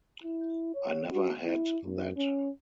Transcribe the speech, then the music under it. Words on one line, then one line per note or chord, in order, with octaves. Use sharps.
I never had that.
E4
C#5
F#4
E4
F#2
C#4